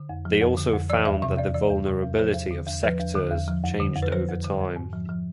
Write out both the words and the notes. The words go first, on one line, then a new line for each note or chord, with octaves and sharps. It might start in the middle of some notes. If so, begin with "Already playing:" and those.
They also found that the vulnerability of sectors changed over time.
Already playing: D3
F2
F3
F2
D3
F2
E3 D5
E2 E5
C3 E5
E2 D5
E3 D5
E2
C3
E2
F3 C5
E2
D3
E2
F3 B4
E2
D3
E2
F3
F2
D3
F2
B4
F3 C5
F2
D3
F2
G#2
F3
F3